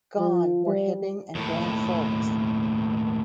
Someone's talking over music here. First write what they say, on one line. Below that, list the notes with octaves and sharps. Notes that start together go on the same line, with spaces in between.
Gone were Hibbing and Grand Forks.
F3
G3
D#2 A2